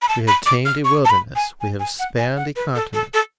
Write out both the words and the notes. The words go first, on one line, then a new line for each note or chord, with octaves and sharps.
We have tamed a wilderness; we have spanned a continent.
B5
A5
B5
D6
F6
C#6
A5
B5
G#5
G#5
G#5
F#5
G#5
F#5
B4
A4
A4
A4